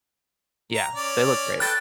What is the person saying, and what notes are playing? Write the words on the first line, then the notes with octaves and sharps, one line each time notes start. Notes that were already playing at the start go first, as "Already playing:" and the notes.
Yeah, they look great.
A#5
C#4 D5
A4 B4 G5 F#6 A6